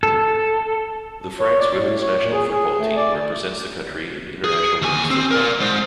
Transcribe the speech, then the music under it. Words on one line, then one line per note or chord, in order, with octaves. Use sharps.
The France women's national football team represents the country in international women's football.
A4
C#5
D5
A2
C#5
A#2
G#4
G#4
A3
D5
G#4
D#2 G#5
C4
A#4 D5
G#3 C5